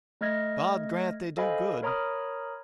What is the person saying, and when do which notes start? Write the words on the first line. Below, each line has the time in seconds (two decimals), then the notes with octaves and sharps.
God grant they do good!
0.21 A3 D#5 F6 G#6 A#6
1.37 A4 C5 D#5 F5 G#5 B5
1.82 A#4 C#5 A#5 B5 D#6 F6